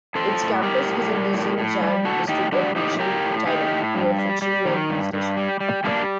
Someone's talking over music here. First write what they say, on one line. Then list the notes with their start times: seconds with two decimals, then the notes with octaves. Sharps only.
Its campus is in the Xicheng District of Beijing, China, near Fuxingmen Station.
0.15 A2 A4 C5
0.39 A2
0.63 G3 G4 A#4
0.86 A2
1.10 G3
1.33 A2
1.58 A2
1.81 G3
2.04 A2 F#4 A4
2.28 A2 D#4 G4
2.52 G3 D4 F#4
2.76 A2 D#4 G4
3.00 A2 G4 A#4
3.24 A2
3.47 A2 D#4 G4
3.71 A2
3.95 G2
4.18 G3
4.42 G3
4.65 D#3
4.89 G2
5.13 G2
5.37 G3
5.60 G3
5.84 G3 A#3 D4